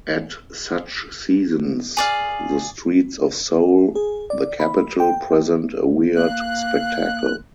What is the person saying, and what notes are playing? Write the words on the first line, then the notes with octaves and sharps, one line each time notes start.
At such seasons, the streets of Seoul, the capital, present a weird spectacle.
G#4 D5 F5
G#4
D5
B5
G5
A#3 F5 F#6